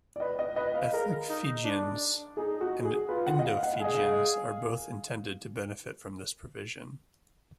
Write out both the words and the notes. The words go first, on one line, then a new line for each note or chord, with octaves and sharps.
Ethnic Fijians and Indo-Fijians are both intended to benefit from this provision.
D5
B4 D#5
D#5
B4 D#5
F5
G#4 A#4
D#4
D4
D#4 G#4
F#4
G#4
F4 B4
F#5
D#5
F5
F#5
F5
G#4 D#5
F5